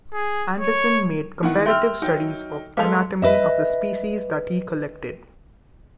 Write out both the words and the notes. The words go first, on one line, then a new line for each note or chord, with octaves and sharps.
Anderson made comparative studies of anatomy of the species that he collected.
G#4
C#5
D#3 E3 F#5
G4 E5 G5 C6 E6 F6
F#3 D#4 G5
G#3 A4 B4 F5 D6 F7
B4 D#5 E5